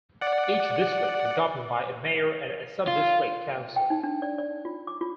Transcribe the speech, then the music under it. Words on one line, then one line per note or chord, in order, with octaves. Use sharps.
Each district is governed by a Mayor and a Sub-District Council.
D5 F#5
F4
G5
D#4
D4
D5
D5
F4
D6
F4